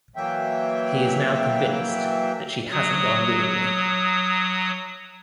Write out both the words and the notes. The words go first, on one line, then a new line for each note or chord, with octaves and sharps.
He is now convinced that she hasn't gone willingly.
E3 F#3 A#3 E5 G5
F#3 D#6